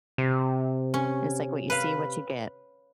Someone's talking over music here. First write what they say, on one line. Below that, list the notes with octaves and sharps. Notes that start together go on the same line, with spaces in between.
And it's, like, "What you see, what you get."
C3
C#4
B4 F5